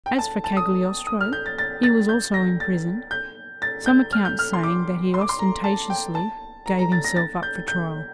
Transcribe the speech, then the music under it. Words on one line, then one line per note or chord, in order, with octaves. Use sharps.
As for Cagliostro, he was also imprisoned, some accounts saying that he ostentatiously gave himself up for trial.
G5
A5
A5
D#6
D#6
F6
G6
A6
A6
A6
G6
A#6
A6
G6
A6
G6
F6
G6
F6
C6
D6
C6
D6
C6
A#5
A5
G5
A5
A#5
A#5
A6
A#6
A6
G6
G6